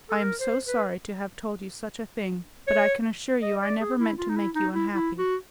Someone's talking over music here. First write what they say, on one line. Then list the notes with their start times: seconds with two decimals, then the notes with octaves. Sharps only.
I am so sorry to have told you such a thing, but I can assure you I never meant to make you unhappy.
0.10 A4
0.21 A#4
0.40 C5
0.66 B4
2.67 C#5
3.42 D#5
3.62 D5
3.81 G#4
3.99 E4
4.18 F4
4.30 D#4
4.36 E4
4.55 D#4
4.74 E4
4.93 E4
5.18 F#4